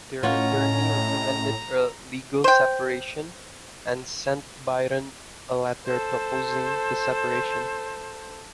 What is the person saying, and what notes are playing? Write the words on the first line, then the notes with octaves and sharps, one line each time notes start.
Their attorney recommended a legal separation and sent Byron a letter proposing the separation.
A2 C#4 F4 C#5 D#5 F#5 A#5
C5 G5
A4 C5